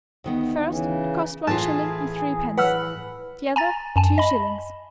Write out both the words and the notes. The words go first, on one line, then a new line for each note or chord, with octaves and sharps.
The first to cost one shilling and threepence, the other two shillings.
D2 D#3 B3
C#3 E3
A2 E3 F4 G#4 A5
B4 F#5 E6 F6
G#5 A#5 A6
F#2 G#5 A5
D#5 B5